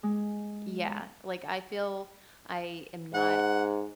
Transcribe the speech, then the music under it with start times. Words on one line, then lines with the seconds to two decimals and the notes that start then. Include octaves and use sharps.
Yeah, like, I feel I am not
0.03 G#3
3.14 G#2 F#5